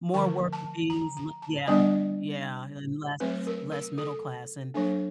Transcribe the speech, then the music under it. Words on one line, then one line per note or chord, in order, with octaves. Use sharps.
More worker bees, le yeah, yeah, and less less middle class, and
D3 F3 A3 C#6
A5
A#5
A#5
A5
D3 G3 B3 D4 D#5
F#3 A3 C4 B4
A#4
A#4
A4
F#3 A#3 D4 A4